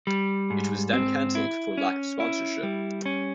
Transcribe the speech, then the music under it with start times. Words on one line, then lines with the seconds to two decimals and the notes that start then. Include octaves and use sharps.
It was then cancelled for lack of sponsorship.
0.07 G3
0.50 G#2
0.93 C4
1.35 E4
1.78 C#4
2.20 E4
2.63 G3
3.06 C#4